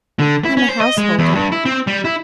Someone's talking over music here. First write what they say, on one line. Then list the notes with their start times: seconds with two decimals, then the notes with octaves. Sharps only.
I'm a householder.'
0.19 D3
0.45 E4
0.57 C#4
0.69 C5
0.81 D#5
0.98 G#3
1.19 E2
1.35 G2
1.52 E4
1.65 C4
1.87 G3
2.05 E4